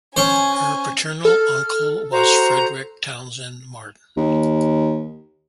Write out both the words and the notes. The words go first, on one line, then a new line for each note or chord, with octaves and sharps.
Her paternal uncle was Frederick Townsend Martin.
C#4 C5 G#5
A4 F6
F#4 C5 A#5
D#2